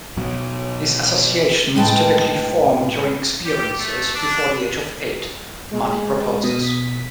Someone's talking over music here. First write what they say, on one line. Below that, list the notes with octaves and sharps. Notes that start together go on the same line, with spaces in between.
These associations typically form during experiences before the age of eight, Money proposes.
B2 F#3
A2 G#3 B4 G5 A5
G4
A3
D4
G#3
B2 D#6
B6